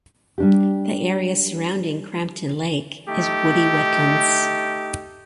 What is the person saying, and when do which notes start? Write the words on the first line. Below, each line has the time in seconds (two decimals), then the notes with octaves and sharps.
The area surrounding Crampton Lake is woody wetlands.
0.38 G3 D4 G4
3.08 A3 D#4 G4